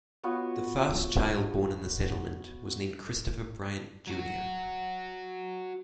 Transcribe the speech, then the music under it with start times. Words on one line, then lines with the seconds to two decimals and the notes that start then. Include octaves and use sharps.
The first child born in the settlement was named Christopher Bryant Jr.
0.23 B3 F4 F#4 C#5
4.07 F#3 F#4